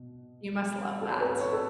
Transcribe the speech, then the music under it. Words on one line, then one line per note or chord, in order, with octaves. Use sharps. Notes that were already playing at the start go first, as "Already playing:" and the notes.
You must love that.
Already playing: B2
A4
C#5
B4
C#5
A4